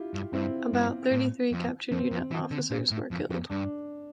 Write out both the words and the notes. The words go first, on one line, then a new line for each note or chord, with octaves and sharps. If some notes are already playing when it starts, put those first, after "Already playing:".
Around thirty-three captured unit officers were killed.
Already playing: E4 F4 G4
G2
G2 C4 E4
G2
A2
F2
F2 C4
F2
E3
D3
A#2
A2
F2
F2
G2 D4